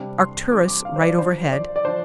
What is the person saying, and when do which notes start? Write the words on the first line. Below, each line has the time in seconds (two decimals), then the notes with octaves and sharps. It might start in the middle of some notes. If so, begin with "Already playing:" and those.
Arcturus right overhead.
Already playing: C3 G3 D4
0.19 C6
0.51 C3 G3 D4 D6
0.68 D6
0.85 F5
0.96 C5
1.01 D5
1.18 F3 D4 C5
1.51 D5
1.76 D5
1.85 F3 D4 C5